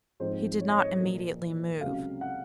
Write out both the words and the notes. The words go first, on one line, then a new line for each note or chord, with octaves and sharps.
He did not immediately move.
G#2 F3 C4 D#4 C5
C#5
D#5
C#5
A#2 F3 A#3
C#2 C3 F#3 F5
F#5